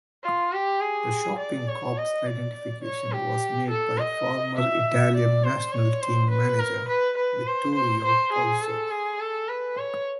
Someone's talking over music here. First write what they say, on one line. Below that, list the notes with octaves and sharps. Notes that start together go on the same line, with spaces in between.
The shocking corpse identification was made by former Italian National Team manager Vittorio Pozzo.
F4
G4
G#4
D5
C#5
D#5
D5
C#5
G4
A4
D#5
E5
D5
C5
C#5
C5
B4
A#4
B4
B4
C5
C5
C5
G#4
A4
G#4
A4
B4
C#5